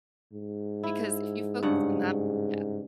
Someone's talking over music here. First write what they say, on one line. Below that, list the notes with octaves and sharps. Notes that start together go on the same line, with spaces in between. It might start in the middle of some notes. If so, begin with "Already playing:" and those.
Because if you focus on that yeah.
G#2
E4
G2 C#3 F#5